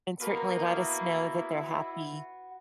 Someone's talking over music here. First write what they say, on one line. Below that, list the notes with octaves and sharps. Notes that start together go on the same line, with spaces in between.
and certainly let us know that they're happy.
A#3 F#4 A#4 B4
E4